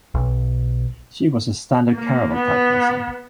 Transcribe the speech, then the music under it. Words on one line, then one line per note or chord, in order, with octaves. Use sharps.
She was a standard caravel-type vessel.
B1
A#3
B3